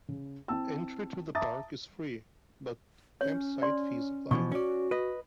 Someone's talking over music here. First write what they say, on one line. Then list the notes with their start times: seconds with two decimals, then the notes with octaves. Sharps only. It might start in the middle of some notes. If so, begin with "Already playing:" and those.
Entry to the park is free but camp-site fees apply.
0.08 C#3
0.48 C4 E4 A5 E6
1.35 E5 A5 A#5 D6 D#6 A6
3.21 C#4 C#5
3.62 D5 C6
4.31 B2 E3 F3 C#6
4.52 C#4 F#4 D5
4.91 B4 D#5